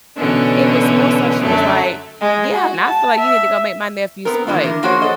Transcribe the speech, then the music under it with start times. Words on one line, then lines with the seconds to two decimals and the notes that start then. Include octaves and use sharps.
it was more so she was, like, "Yeah, and I feel like you need to go make my nephew's plate."
0.16 B2 D3 E3 C#4
1.40 F#2 D3 F#3 A3
2.21 G#3
2.54 F#4
2.84 A5
3.18 E5
4.25 B3 C4 A#4
4.47 D#3 E3 A#3 D4 F4
4.64 E3 A#4
4.83 F3 A#3 F#4 G#4 C5 C#5
5.02 A4 D#5